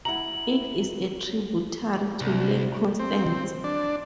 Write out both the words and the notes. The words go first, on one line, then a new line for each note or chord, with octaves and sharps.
It is a tributary to Lake Constance.
E4 F#5 A#5 F#7
C2
C4
D4